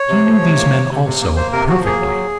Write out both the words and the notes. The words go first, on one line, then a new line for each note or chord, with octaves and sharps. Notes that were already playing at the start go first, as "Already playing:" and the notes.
He knew these men, also, perfectly.
Already playing: C#5
C3
F3
C3
A#3
C3
C3
C3
A#3
A#3 C5
C3 A#4
F3 F#4
A#3 G#4
F#3